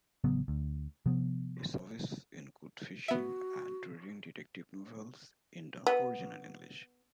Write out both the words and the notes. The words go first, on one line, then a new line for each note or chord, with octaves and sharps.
His hobbies include fishing, and reading detective novels in the original English.
A1 C#3 F#3 B3
D2
C3 F3 B3
B3 F#4 E5
B3